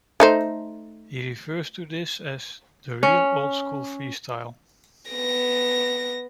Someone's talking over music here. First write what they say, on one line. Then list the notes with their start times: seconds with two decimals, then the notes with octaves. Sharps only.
He refers to this as "the real old-school freestyle".
0.20 A3 D#4 C5
3.03 C#4
5.11 B3 A#6